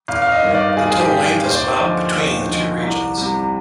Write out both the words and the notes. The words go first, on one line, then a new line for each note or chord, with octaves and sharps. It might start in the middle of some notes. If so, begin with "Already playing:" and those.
The total length is about between the two regions.
G#1 F5
F5
D#5
G2 D#3
D5
G#1 G#4
G#4
G4
G2 D#3
D#2 C5
D5
C5
D3 F3 G#3 D5
D#2
D3 F3 G#3
C2
C3 G3